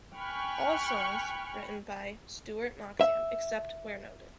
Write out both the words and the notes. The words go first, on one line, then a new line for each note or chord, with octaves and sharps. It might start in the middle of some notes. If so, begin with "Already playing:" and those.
All songs written by Stuart Moxham, except where noted.
G5 G#5 B5 C#6 F6 F#6
E5